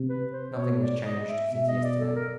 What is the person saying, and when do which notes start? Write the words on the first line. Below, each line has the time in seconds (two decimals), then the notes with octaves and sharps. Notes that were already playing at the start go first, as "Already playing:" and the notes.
Nothing was changed since yesterday.
Already playing: C3
0.09 B4
0.33 C5
0.56 B2 C#5
0.80 D5
1.05 D#5
1.28 E5
1.52 B2 E5
1.68 D#5
1.84 D5
2.00 A4
2.16 A#4